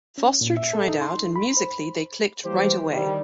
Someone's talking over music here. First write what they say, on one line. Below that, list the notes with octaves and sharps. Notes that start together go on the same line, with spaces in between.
Foster tried out and musically they clicked right away.
C#4
A#2
E5
A4
D#4
C6
B5
C5
E3 G3 A#3 G4 C5
D#3 G3